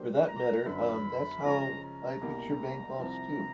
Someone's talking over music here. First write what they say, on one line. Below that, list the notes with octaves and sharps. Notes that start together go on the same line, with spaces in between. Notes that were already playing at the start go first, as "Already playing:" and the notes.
For that matter, that’s how I picture bank vaults too.
Already playing: F#3 A#3 D4 G4 C5
A#5
F#2 D3 F#3 B3 D4 B5
C#3 F3 G#3 C#4 A#5
A#5
C2 B2 G3 A#3
C2 C3 F3 A#5